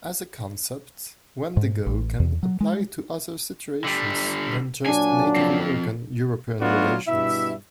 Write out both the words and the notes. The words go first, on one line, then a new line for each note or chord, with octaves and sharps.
As a concept, wendigo can apply to other situations than just Native American-European relations.
G#2
A1
E2
F#3
G#3
D3 G3
A#2 F#3 D4 G#5
F3 C4
F#3 A3 B3 D4 F4 F#4
G2 B2 E4 E5